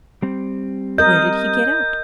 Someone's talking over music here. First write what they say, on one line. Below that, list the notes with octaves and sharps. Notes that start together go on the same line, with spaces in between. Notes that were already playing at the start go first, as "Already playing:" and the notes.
Where did he get out?
G3 C4
A#4 D#5 G6